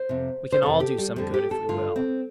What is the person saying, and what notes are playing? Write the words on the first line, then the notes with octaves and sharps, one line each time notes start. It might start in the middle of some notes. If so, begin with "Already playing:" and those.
We can all do some good, if we will.'
Already playing: C5
F2 C3
C5
F2 C3 A4
G4
G3
F2 D3 G3
G4
A4
G2 D3 F4
C4